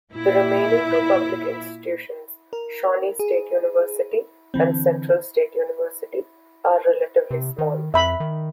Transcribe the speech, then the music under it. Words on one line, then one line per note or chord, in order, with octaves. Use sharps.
The remaining two public institutions-Shawnee State University and Central State University-are relatively small.
A#2 E4 E5
A#4
G#4
D3 E3 C4
C3
D#3
F2 E5 B5
D#3